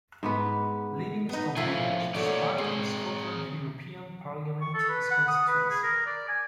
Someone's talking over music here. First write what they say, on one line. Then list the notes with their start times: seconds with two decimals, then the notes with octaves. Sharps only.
Livingston Village is part of the Scotland European Parliament constituency.
0.23 G#2 B3 B4
1.29 B3 D#4
1.57 A2 F3 F4 E5 G#5
2.14 B2 D3 A3 A#3 C#5 D5
2.58 G#3 C4 G#4
4.61 C#6
4.74 A4
4.89 B4
5.11 F#5
5.28 D#6
5.48 B4
5.70 G#4
5.83 A#4
6.06 D5
6.28 G#5